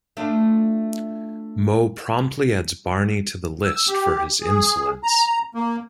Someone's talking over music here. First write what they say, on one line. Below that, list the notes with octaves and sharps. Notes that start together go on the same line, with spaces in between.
Moe promptly adds Barney to the list for his insolence.
A3 D4 F4
E6
G4
G#4
A#5
A#3